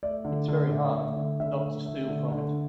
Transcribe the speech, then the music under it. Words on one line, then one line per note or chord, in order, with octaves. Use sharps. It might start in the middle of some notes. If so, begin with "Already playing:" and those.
It's very hard not to steal from it.
A3 D5
D3
D3
A3
A3
D3
D3 E5
A3
A3
D3
D3